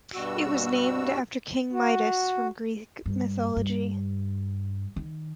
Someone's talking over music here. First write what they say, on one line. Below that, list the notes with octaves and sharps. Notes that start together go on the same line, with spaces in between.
It was named after King Midas from Greek mythology.
G2 B2 G3 F#4 E6
F#4
G2
G2
D#3